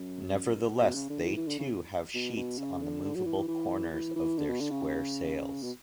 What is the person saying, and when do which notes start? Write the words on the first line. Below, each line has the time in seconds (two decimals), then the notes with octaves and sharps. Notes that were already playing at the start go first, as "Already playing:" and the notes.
Nevertheless, they too have sheets on the movable corners of their square sails.
Already playing: F#2
0.80 B2
0.94 C#3
1.10 D3
1.24 E3
1.36 E3
1.47 D3
1.58 C#3
2.14 B2
2.36 B2
2.58 C#3
2.82 D3
3.04 D3
3.15 F#3
3.26 E3
3.37 E3
3.48 E3
3.93 E3
4.15 E3
4.38 D3
4.49 B2
4.60 D3
4.71 C#3
5.63 B2